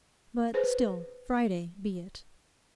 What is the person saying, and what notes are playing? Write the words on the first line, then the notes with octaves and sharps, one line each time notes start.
But still, Friday be it.
G#4 B4 C5